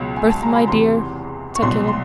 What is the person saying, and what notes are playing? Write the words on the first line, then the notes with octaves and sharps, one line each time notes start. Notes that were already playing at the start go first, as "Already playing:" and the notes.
"Bertha, my dear!" said Caleb.
Already playing: C#2 B2 F#3
G#5
A5
A#5
B5
E2 C3 E3 C6
C#6
C2 B2 F#3 C6
C6